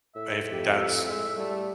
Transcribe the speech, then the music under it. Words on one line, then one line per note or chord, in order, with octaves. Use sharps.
If that's
A2 E5
F2 G4
G#3
G3 A3